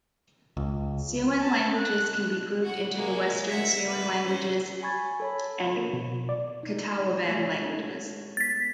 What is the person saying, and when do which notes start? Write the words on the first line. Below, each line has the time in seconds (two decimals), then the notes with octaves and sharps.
Siouan languages can be grouped into the Western Siouan languages and Catawban languages.
0.57 C#2
1.40 A5
1.76 F#6
2.63 F#4 F#5
2.94 G#3 A#3
3.49 E5 F#5
3.87 B4
4.26 C#4 C5
4.83 G#5 B5 C#6 G#6 A6
5.20 A4 C#5 B5
5.76 A#3
5.93 B2
6.29 D5
6.63 D#4
7.28 A3 F4 C#5
7.49 G#3 F#5
8.37 B3 A6 B6